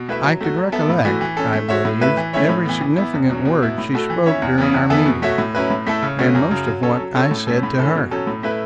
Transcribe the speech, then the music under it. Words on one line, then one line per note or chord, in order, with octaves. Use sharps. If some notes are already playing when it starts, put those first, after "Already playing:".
I could recollect, I believe, every significant word she spoke during our meeting, and most of what I said to her.
Already playing: B2
A3 E4 B4 E5
F#3
A3 F#4
F#3
B3 A4 E5
A2
E3 A3 F#4
E3
C#4 A4
A3
F#4 C#5 E5
A2
A3 E4 B4 E5
E3
A3 C#4 E4 C#5
A2
E3 B3
E3
B3 E4
E2
B2 F#3 C#4
B2
B3 E4
A2
A3 F#4 A4
E3
C#4 E4 C#5 E5
E2
C#3 E3 B3
E2
E3 B3 A4 E5
B2
A3 F#4 C#5 E5
A2
F#3 C#4 E4 B4
A2
A3 E4 A4
C#3
A3 C#4 F#4
F#2
C#3 F#3
F#3
C#4 A4 C#5
F#3
C#4 A4 C#5
A2
A3 C#4 A4
A2
E3 C#4 A4
B2
F#3 C#4 A4
A2
A3 E4 B4